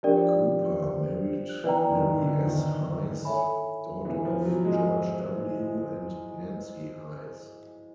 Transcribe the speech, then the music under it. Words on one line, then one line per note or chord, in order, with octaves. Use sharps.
Cooper married Mary S. Hayes, daughter of George W. and Nancy Hayes.
F3 D4 G4 A#4 D5 G5
E3 B4 D5 G5 A#5
D#3
D3
D#3
A4 C#5 E5 G#5 B5
E3
F3
F#3
G#3